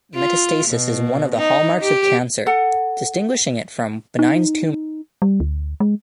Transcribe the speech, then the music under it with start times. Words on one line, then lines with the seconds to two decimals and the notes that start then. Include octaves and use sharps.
Metastasis is one of the hallmarks of cancer, distinguishing it from benign tumors.
0.15 F4
0.68 B2
1.35 D#4
1.82 G4
2.46 A4 F#5
4.19 D#4
5.22 G3
5.40 D2
5.80 G#3